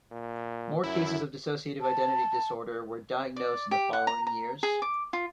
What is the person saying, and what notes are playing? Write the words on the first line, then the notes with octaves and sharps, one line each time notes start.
More cases of dissociative identity disorder were diagnosed in the following years.
A#2
F#2 E4
A5
D5
G4
F#5
A#5
A#5
G#4
D6
F4